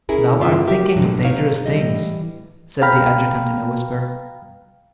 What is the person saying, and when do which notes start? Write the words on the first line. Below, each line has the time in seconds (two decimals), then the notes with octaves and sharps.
"Thou art thinking of dangerous things," said the adjutant, in a whisper.
0.09 C#4 E4 G#4 A#4
0.39 G2 C#3 F4 E5
0.67 G4 A#4 E5 G5
0.96 A2 D3 F#3
1.25 D#4 C#5 F5
1.66 E3 G3 D#5
2.82 F5 G5 A#5 B5 F6